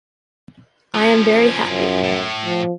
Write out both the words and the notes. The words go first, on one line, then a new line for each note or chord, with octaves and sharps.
I am very happy.
F3 C#4
F#2
A2
F3